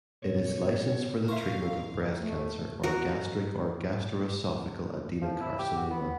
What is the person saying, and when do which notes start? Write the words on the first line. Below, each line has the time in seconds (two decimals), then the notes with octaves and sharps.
It is licensed for the treatment of breast cancer or gastric or gastroesophageal adenocarcinoma.
0.23 B2 C#5
1.28 A#4 E5 F5 C6 C#6
2.21 A3
2.83 F#4 A#4
5.22 F3
5.41 E4
5.59 G4
5.77 F#4
5.91 B3